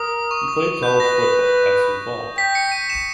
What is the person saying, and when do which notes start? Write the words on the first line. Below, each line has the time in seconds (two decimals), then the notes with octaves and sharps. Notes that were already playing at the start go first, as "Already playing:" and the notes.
He played college football at Sioux Falls.
Already playing: A#4 D#6
0.31 C#6
0.48 D#6
0.83 B4 G6
1.00 A#6
1.17 A#6
2.38 G5 B6
2.55 C#7
2.72 D#7
2.90 E7